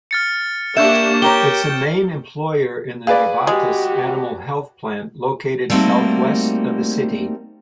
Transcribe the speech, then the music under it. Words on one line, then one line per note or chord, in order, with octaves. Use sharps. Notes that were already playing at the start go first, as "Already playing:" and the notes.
Its main employer is the Novartis Animal Health plant located southwest of the city.
F6 A6 C#7
A#3 D4 G4 E5 C#6 G6 E7
G4 A#4 C#5 G5 G7
G#4 B4 D5 F5
G#3 F#4 G4
G3 A3 A#3 C4 D#4 F#4